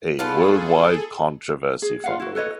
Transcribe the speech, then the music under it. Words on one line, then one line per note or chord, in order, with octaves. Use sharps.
A worldwide controversy followed.
A3 B3 F4 G#4 A4
G#4
F4 F5 F#5
E4 F#4
A4 B4 C#5 D#5